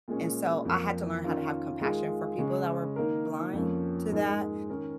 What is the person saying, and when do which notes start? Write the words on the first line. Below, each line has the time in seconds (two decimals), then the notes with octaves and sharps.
And so, I had to learn how to have compassion for people that were blind to that,
0.08 A#2 G#3 C#4
0.65 F2 F3 A#3
1.23 D#3 C#4 F4 A#4
1.80 D#3 G#3 F4 G#4
2.38 C#3 G#3 C#4
2.96 D#3 A#3 D#4 A#4
3.53 F2 F3 A#3 C#4
4.11 G#2 G#3 D#4 A#4
4.69 D#3 C#4 A#4